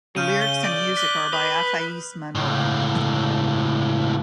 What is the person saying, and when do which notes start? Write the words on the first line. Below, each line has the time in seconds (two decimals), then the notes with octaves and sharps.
The lyrics and music are by Afaese Manoa.
0.16 C#3 F6 G6 D#7
0.41 G7
0.64 D5 G6
0.96 F#6 B6 G7
1.33 B4 D#6
2.35 C#2 A2